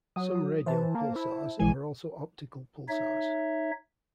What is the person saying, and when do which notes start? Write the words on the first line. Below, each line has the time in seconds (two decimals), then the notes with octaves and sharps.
Some radio pulsars are also optical pulsars.
0.16 F#3 D#6
0.66 E3 C5 A5
0.95 A#3
1.16 E4
1.59 A#1 E3 G#3 G#5
2.89 D#4 C#5 E5